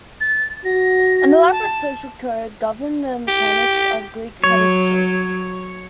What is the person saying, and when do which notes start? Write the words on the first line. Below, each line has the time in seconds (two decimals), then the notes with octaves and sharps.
An elaborate social code governed the mechanics of Greek pederasty.
0.21 A6
0.65 F#4 A#6
1.51 A5
3.28 G4
4.44 F#3 C#5